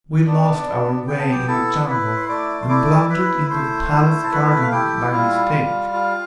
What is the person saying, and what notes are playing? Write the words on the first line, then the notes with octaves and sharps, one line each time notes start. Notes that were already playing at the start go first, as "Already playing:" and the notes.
"We lost our way in the jungle and blundered into the palace-garden by mistake."
B3 D4 D5
B3
B3 G5
A5
G4 G5
E4 A4 A5
E4 B4 B5
C6
A3 D5 D6
C6
E4 D5 D6
E4 B4 B5
A3 C5 C6
E4
A5
A3 B4 B5
F5
E4 G4 G5
G3 F4 F5
F4
F4